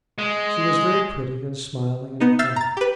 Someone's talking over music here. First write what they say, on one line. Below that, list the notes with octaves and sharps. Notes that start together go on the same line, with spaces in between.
She was very pretty and smiling and quiet.
G#3
B3 D#4
E5 E6 F6 G6 A6 C7
A#5 A6
G4 B4